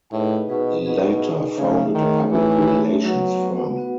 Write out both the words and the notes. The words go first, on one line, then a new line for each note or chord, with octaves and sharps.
He later founded a public relations firm.
A2 D#4 G#4 B4 D#5
B2 D#4 G#4 B4 D#5
B2 D#4 G#4 B4 D#5
D#4 G#4 B4 D#5
C#3 A3 D#4 G#4 C#5 E5
D#3 A3 D#4 G#4 C#5 E5
E3 A3 D#4 G#4 C#5 E5
A3 D#4 G#4 C#5 E5
F#3 B3 F#4 B4 F#5
B3 F#4 B4 F#5
B3 F#4 B4 F#5